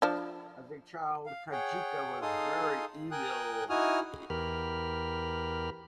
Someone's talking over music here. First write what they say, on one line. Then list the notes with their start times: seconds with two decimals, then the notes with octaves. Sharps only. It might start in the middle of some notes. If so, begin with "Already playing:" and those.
As a child, Kajika was very evil.
0.02 F3 D4
1.26 F5
1.52 G#4 C#5 F#5 G5
2.22 D#4 G#4 A4 F5 C6 D#6
3.11 A#4 G5 G#5 D#6 F#6
3.69 D#4 E4 F#4 G#5 D#6 F6
4.30 E2 G4 A#4 B5 F6